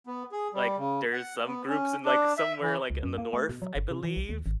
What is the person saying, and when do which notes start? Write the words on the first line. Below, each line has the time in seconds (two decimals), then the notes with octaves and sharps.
like, there's some groups in, like, somewhere like, in the North, I believe.
0.06 B3
0.32 G#4
0.54 G3
0.77 C#3
1.13 F#5
1.47 B3
1.69 C#4
2.05 D4
2.37 E5
2.61 E3
2.90 C#2
3.03 F#2
3.18 A#3
3.33 A3
3.49 B2
3.62 F#3
3.75 G1
3.91 C3
4.03 E3
4.16 B1
4.29 D#2
4.46 G#1